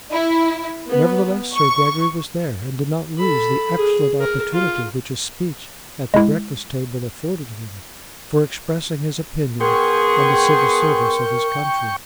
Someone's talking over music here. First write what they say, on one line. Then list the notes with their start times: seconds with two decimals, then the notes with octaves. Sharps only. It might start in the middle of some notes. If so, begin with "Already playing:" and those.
Nevertheless Sir Gregory was there, and did not lose the excellent opportunity which a speech at the breakfast-table afforded him for expressing his opinion on the Civil Service of his country.
0.12 E4
0.88 B3
1.55 C#6
3.19 A4 B5
3.76 G#4
4.17 G#4 A#4
4.53 F4
6.14 G#3 E4
9.61 B3 G#4 A#4 G5 C6 C#6